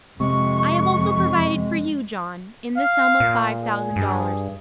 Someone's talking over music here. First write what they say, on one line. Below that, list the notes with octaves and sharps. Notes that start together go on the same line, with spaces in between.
"I have also provided for you, John, in the sum of five thousand dollars."
F2 C3 G#3 C#6
F5
A#2
G#4
G2